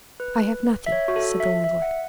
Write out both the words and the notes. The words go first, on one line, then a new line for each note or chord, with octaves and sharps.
"I have nothing," said the landlord.
B4
E5
C#5
F#4
A4
E5
E5
F#5